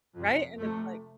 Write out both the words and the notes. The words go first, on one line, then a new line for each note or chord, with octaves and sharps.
Right? And it's like
F2 C3
F2 C3 A3